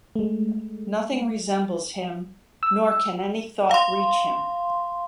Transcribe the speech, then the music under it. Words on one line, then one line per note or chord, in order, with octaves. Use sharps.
Nothing resembles Him nor can any thought reach Him.
G#3 A3
E6
F5 C6